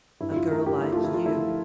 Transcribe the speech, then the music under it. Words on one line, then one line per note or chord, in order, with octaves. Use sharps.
A girl like you.
G2 E4
E4
G2 F4
A3 A#4
G2 G4
A3 E4
A3 F4
E4
F3 F4
A3 E4